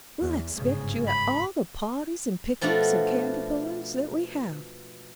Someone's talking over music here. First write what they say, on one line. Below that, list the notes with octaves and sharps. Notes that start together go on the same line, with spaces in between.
We'll expect you at all the pahties and picnics and candy-pullin's that we have.
E2
G1 G#2 C#3
B5
B2 F3 A3 D4 F#4